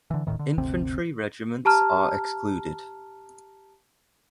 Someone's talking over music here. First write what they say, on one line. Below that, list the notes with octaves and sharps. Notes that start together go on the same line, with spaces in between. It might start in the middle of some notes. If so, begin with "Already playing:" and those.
Infantry regiments are excluded.
D3 E3
D1 C#2 A2 D#3
D3
G1 D2 C3 C4
G4 A5 A#5 F6